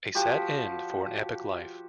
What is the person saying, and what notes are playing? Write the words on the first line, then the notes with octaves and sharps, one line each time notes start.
A sad end for an epic life.
F3 F#4 G4 D6